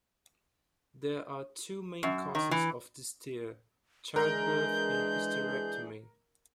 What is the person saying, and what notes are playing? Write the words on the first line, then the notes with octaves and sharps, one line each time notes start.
There are two main causes of this tear: childbirth, and hysterectomy.
F#2
D#3
E3
E3 G#3 D4 G#4 A#4 G6